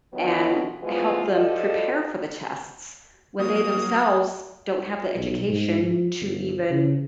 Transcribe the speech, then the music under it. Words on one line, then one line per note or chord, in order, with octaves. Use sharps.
and help them prepare for the tests, when they themselves don't have the education to even
B2 D3 D#3 F#3 B3 F4
D3 E3 F3 G#3 B3 F4
F3 F#4 G4 A4 D5 D#5
F#3 A#3 D#6
B1
G#2
F3
G1
C#3